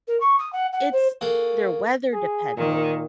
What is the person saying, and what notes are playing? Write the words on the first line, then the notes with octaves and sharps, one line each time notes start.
It's they're weather-dependent.
A#4
C#6
D#6
F#5
F#5
C5
A#3 F#4 G#4 A4
G#4
A#2 D#3